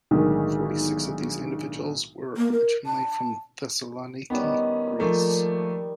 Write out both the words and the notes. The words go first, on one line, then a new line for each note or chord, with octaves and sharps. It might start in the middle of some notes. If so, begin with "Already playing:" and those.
Forty-six of these individuals were originally from Thessaloniki, Greece.
B1 A2 D3 D#3 G#3
A#3
A#4
A5
D#3 G3 B3 C#4
F3 A3 A#3